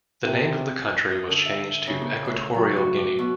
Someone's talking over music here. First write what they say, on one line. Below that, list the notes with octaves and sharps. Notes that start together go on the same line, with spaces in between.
The name of the country was changed to Equatorial Guinea.
C3
D#6
D3
E5
C#3
A#3
A2
F#3
F#4
D6
B2